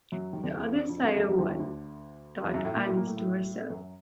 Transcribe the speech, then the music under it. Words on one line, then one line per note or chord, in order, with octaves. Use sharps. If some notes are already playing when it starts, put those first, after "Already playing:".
The other side of what?’ thought Alice to herself.
F#2 F#3
D#2 D#3
D#2 D#3
E2 E3
F2 F3
F2 F3
F2 F3
F#2 F#3
F#2 F#3
F2 F3
D#2 D#3
D#2 D#3
D2 D3
E2 E3
F#2 F#3
A2 A3
A#2 A#3
A2 A3
A#2 A#3
A2 A3
A2 A3
F#2 F#3